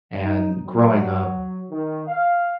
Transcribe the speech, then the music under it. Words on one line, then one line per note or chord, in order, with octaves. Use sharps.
And growing up,
D#4
F#3
D#3
F5